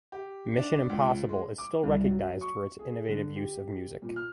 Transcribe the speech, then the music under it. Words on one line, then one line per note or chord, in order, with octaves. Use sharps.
"Mission: Impossible" is still recognized for its innovative use of music.
G4
D4
C#2
G#3
D6
C2
F#3
C#6
G#4
D3
G4
A#2
F6